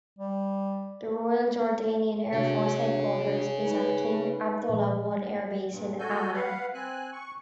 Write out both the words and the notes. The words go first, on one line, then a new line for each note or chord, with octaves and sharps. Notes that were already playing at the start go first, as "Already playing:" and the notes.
The Royal Jordanian Air Force Headquarters is at King Abdullah I Airbase in Amman.
G3
C3 D4 F#4 G#4 C#5
D#4 B4
A#2 F3
G2 A#2
F#4 A4 G#5 G6
B4 F5 F#5
C4 G#5 F#6
C#6